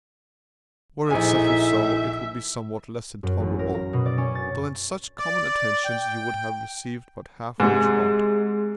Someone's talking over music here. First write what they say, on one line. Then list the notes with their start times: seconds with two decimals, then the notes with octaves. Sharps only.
Were it settled so, it would be somewhat less intolerable, though in such common attentions you would have received but half what you ought.
1.10 A#1 D#4 E4 G#4 A4 E5 G#5
3.23 F#2
3.40 A1
3.59 A#4
3.74 A#5
3.93 B2
4.06 D5
4.18 C#4
4.35 A6
5.19 D5
5.85 G5
7.60 G#2 C3 G#3